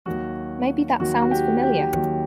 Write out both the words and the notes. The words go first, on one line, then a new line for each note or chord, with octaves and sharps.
Maybe that sounds familiar.
D#2 D#3 F#3 F#4
D#2 D#3 F#3 F#4
F#4
G4
G4
D#2 D#3 F#3